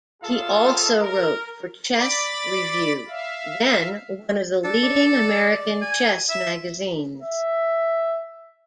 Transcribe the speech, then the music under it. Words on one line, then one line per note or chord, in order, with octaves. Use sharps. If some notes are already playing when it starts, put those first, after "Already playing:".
He also wrote for "Chess Review", then one of the leading American chess magazines.
F#2 F4 G#4 A4 F5 A5
A#4
D5 B5 D6 A6
E5 F5
D4 A4
D5
D5
G#5
E5
E5